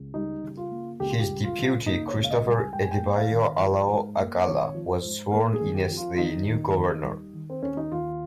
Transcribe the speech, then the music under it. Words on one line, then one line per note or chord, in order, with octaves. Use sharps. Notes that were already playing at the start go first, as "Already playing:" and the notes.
His deputy, Christopher Adebayo Alao-Akala, was sworn in as the new governor.
Already playing: C#2
G3 D#4
C#3
F4
A#3
C#2 G4
F4
G4
G3
F4
C#3
A#3 D#4
C#5
C#2
F5
D#5
G3
G#5
G#2 G5
G#5
G5
A#3
F5
G#1
F3
G#2
A#3
G#1 C#5
F3
C5
G#2
A#3 A#4
G#4
G#1
G4
F3
F4
F4
D#3 D#4
D#2
D#2
G3
D#3
C4
D#2 C#4
D#4
D#2 F4